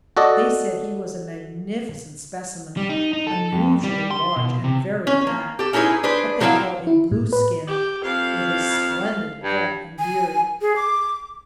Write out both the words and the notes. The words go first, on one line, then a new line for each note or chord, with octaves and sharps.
They said he was a magnificent specimen--unusually large, and very black--what they call a blue skin--with a splendid head and beard.
F#4 A4 D5 D#5
G3
D#4
D#4
A4
F2
G3
C6
B2
C3
C#4
A#3
G4 A4
C#4 D#4 E4 G4 G#4 B4
D4 G#4 B4 C5
F3 F#3 E4 B4 F5 G5
E4
A2
B4
G4
F2 F5
G2
G#5
G#4
D6